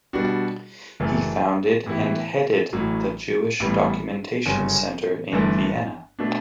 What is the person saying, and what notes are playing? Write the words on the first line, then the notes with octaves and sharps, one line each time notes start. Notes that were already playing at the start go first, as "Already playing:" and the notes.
He founded and headed the Jewish Documentation Center in Vienna.
B2 G3 D4 F#4
F#1 F#2 E3 A3
A2 E3 B3 E4 G4
A1 A2 F#3
A1 A2 G3 B3
G1 F#2 C#3 G3 C#4
G1 G2 E3 A3
B2 A3 D4